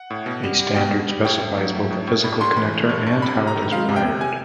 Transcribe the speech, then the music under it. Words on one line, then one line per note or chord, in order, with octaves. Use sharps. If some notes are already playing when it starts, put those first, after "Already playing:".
A standard specifies both a physical connector and how it is wired.
Already playing: F#5
A2
B2
G3
G3
B2 G5
B2
G3
A2 G5
A2
F#3
A3
A2
A2
G2 B5
G2 C6
E3 B5
A3
G2
G2
C3 B5
C3
A#5
D#3
G#3 F5
C3
G5
C3
G#5